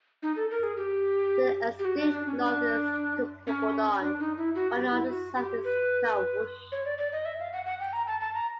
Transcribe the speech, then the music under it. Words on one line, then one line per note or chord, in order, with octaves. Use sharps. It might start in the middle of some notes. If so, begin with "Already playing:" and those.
To the extreme north is Tupopodon, while on the South is Ghawush.
D#4
A4
A#4
G#4
G4
G4
F#4
D4
D4
C#4
D4
C#4
D4
D#4
E4
F#4
G4
E4
F#4
G4
B4
C#5
D5
D5
D#5
E5
F5
F#5
F#5
G5
A#5
A5
A5
A#5